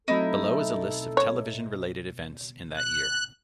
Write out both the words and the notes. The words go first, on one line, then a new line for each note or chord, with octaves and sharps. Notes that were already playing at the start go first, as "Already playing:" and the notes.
Below is a list of television-related events in that year.
F#3 A3 C4 D#4 E4 A4 E5
C#5
F#6